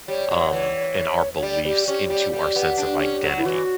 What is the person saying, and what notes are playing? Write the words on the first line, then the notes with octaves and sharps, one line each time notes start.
um, and our beliefs into our sense of identity.
G3 C#5
F#3
E3
C#5
G3 D5
G3 G4
C#4 G4
G3
G3
B3
D4
C#4
F#3
E4
E3 F#4